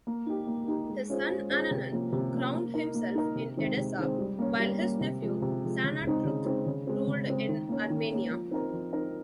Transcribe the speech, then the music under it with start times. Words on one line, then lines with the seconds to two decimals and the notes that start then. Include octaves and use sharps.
His son Ananun crowned himself in Edessa, while his nephew Sanatruk ruled in Armenia.
0.07 A#3
0.26 D#4 G4
0.47 A#3
0.68 D#4 G4
0.89 G#3
1.10 C#4 F4 G#4 C5
1.31 G#3
1.50 C#4 F4 G#4 C5
1.71 C3
1.92 F3 A#3 C#4
2.13 C3
2.34 F3 A#3 C#4
2.54 A#3
2.74 D#4 A#4
2.95 A#3
3.15 D#4 A#4
3.36 C3
3.57 D#3 G#3 C4
3.77 C3
3.99 D#3 G#3 C4
4.18 G3
4.39 A#3 C#4
4.59 G3
4.80 A#3 C#4
5.01 C3
5.22 F3 G#3
5.42 C3
5.64 F3 G#3
5.84 C#3
6.04 G#3 C4 D#4
6.25 C#3
6.45 G#3 C4 D#4
6.66 C#3
6.87 G#3 C4
7.08 C#3
7.28 G#3 C4
7.48 D#3
7.69 A#3 C#4
7.90 D#3
8.10 A#3 C#4
8.30 F3
8.51 C4 D#4 A#4
8.72 F3
8.93 C4 D#4 A#4